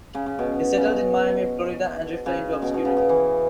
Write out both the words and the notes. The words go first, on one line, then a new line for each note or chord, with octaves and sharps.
He settled in Miami, Florida and drifted into obscurity.
C#3
C#3
B2
C#3
B2
C#3
B2
B2
C#3
C#3
E3